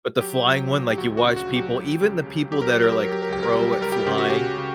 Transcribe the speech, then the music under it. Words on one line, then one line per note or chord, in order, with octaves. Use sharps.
But the flying one, like, you watch people even the people that are, like, pro at flying,
F#3 G4
F#3
A#2
G4
D2 F#4
F#4
C#3
F#4
F#3
G4
C#2
C#3
C#2
F#3 G4
A#4
G4
F#3 A#4
G4
F#3 A#4
G4
A#4
C#2 G4
A#4
G3 G4
A#4
G4
C#2 A#4
G4
C#3 G4
F#4
C#3 G4
C#3